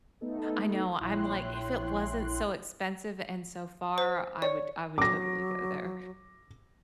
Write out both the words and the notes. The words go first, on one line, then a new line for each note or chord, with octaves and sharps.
I know, I'm like, "If it wasn't so expensive and so far, I would I would totally go there."
A3 B3 D#4 A4
A#1 E4 C#5 G5 C6 F#6
C5
C#5 D5
F#3 D6 A#6